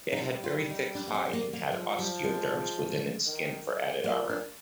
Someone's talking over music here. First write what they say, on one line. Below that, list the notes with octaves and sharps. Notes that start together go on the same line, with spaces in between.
It had very thick hide and had osteoderms within its skin for added armor.
D#4
G3 F4
F4
D#4
D4
A#3
C4
C4
A#3
A#3
F3 G#3
G3
G#3
D#3
A#2 A#3
D4